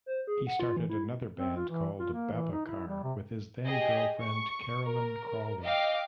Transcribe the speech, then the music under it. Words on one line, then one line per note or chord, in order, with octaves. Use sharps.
He started another band called Babacar with his then-girlfriend Caroline Crawley.
C5
G#4
F#5
F4
E3
E4
C4
F4
E3
F4
A#3
E3
D#4
E4
G3
C3
G4 G#4 D#5
C#6
A#4
D#5 F5 G5 D6